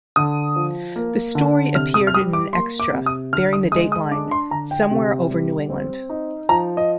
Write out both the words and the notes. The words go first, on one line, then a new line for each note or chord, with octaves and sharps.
The story appeared in an extra bearing the dateline "Somewhere Over New England".
D3 D#6
F3
A#3
D3
C3 F6
D#6
F6
G3 D#6
D6
A#3 C6
D6
C3
D#6
D3 F6
D#6
G#3 D#6
D#6
D4 D6
C6
D3 A#5
G5
C3
G3
C4
D#4
F3 A#5
D#5